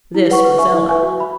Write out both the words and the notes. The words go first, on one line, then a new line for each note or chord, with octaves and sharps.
This was Ella.
E4
B4 F#5 C#6
B4
E5 G#5 C#6
E4
B4 E5 G#5 C#6
F#4
E5 B5